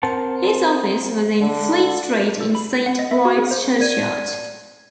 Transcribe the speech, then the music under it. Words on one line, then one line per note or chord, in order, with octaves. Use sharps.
His office was in Fleet Street in Saint Bride's churchyard.
C4 A#4 C5 F#5 A5
D3
D5
A4
B5
F#5
D#5
E5
F#4
G#4
C5
D5 G#6 D#7